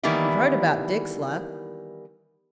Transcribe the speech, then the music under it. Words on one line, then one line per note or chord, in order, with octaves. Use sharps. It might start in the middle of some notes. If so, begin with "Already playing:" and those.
You've heard about Dick's luck?'
D#3 E3 G3 A#3 B3 E4